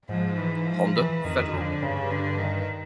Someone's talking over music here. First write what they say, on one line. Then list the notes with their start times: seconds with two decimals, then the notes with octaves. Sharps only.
Honda Federal.
0.09 G#2 F3
0.38 E3
0.67 F3
0.96 E3
1.24 F2 D#3
1.53 F2 D3
1.82 G2 C#3
2.10 D3
2.39 D#3